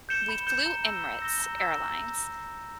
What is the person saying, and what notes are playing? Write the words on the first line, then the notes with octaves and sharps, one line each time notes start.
we flew Emirates Airlines,
G6 C#7 E7 G7
B5
G6 C#7 E7 G7
A#5
E6 A#6 E7 G7
A#5
E6 A#6 E7 G7
A#5
E6 A#6 E7 G7
A#5